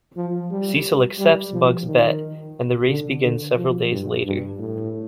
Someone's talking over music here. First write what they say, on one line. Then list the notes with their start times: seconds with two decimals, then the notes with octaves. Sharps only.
Cecil accepts Bugs' bet, and the race begins several days later.
0.17 F3
0.51 G3
1.19 G3
1.52 F3
1.86 D#3
2.89 D3
3.23 D3
3.56 F3
3.91 G2
4.24 G2
4.59 A2